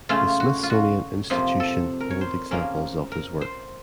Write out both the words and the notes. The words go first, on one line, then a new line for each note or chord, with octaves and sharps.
The Smithsonian Institution hold examples of his work.
C#3 A3 C#4 F4
F#4
F4
F#4
F2 C3 F3 A#3
A4
A#4
C#5
C5
C#3 F3 A#3 C#4 A#4
A#4
C5